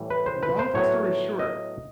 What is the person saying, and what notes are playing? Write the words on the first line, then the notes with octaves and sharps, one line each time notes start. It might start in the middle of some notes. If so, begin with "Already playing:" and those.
long story short,
Already playing: A2 E3 G3
B4
C5
B4
C5
A2 F#3 B3 C#5
D#5